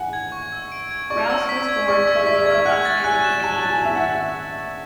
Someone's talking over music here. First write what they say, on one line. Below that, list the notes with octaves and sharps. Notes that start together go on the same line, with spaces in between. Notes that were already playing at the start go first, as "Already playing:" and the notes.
Rowse was born to a lower-class family in England.
Already playing: F#5 G#5
G#6
C#6
E6
D7
G#6
D5 C#6
E6
B6
G#6
D5 C#6
E6
E5
D5 B6
D5 G#6
E5
F#5 F#6
A6
G#5 F#6
E7
A5 F#6
A6
G#5
E5 F#6
F#5
E7
F#6